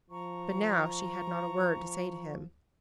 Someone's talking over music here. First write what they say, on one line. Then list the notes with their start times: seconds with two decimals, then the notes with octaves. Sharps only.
But now she had not a word to say to him.
0.10 F3 A#5 C#6